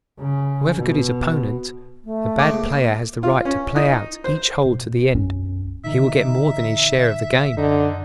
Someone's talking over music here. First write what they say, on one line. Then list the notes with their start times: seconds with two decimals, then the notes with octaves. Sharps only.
However good his opponent, the bad player has the right to play out each hole to the end; he will get more than his share of the game.
0.19 C#3
0.77 B2
2.04 A3
2.39 A2 C#3 G#3 D6
2.54 A#2
3.23 F4
3.45 C#4
3.76 D#4
4.24 C5
4.66 B2
5.15 B1 F#2 C#4
5.84 A#2 D3 E3 D#4 E5
7.57 F#2 D3 D#4 D#5